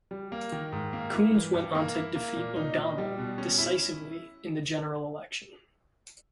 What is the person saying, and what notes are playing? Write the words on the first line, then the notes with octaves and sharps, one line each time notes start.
Coons went on to defeat O'Donnell decisively in the general election.
G3
A#3
D#3
G#2
A#3
E4
E3
G2
A#3
E4
A#3
A#2
D#4
A#2
G3
B2
C#4
E4